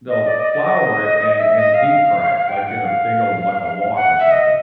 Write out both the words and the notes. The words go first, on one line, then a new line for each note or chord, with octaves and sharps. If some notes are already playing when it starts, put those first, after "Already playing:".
they'll flour it and and deep-fry it, like in a big ole like a wok or something,
D#5
D5
D#5
D5
D#5
E5
D#5
F5
G5
F#5
F5
F#5
E5
D#5